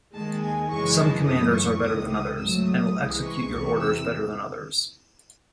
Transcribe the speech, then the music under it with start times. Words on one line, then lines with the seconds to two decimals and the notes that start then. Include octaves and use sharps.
Some commanders are better than others and will execute your orders better than others.
0.14 D#2 D#3 G#3 A5
0.42 G#5
0.70 F#2 C#3 E3 G#3 C#6
0.98 A5
1.26 F#2 E3 A3 D#6
1.54 C#6
1.82 C#2 C3 D#3 D#6
2.11 D#6
2.39 G#2 F#3 A3 E6
2.67 D#6
2.96 C2 C3 E3 G#3
3.23 C#6
3.51 E2 C3 E3
3.80 E6